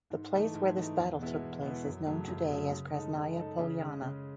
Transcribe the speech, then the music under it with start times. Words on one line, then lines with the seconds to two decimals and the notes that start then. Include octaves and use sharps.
The place where this battle took place is known today as Krasnaya Polyana.
0.10 G#2
0.32 E3 A3 D#4
0.54 G#2
0.76 E3 A3 D#4
0.98 E2
1.19 B2 G#3 B3 E4
1.41 E2
1.63 B2 G#3 B3 E4
1.85 F#2
2.06 C#3 F#3 A3
2.28 F#2
2.50 C#3 F#3 A3
2.72 C#3
2.94 G#3 D#4 A4
3.15 C#3
3.37 G#3 D#4 A4
3.59 C#3
3.81 G#3 C#4
4.02 C#3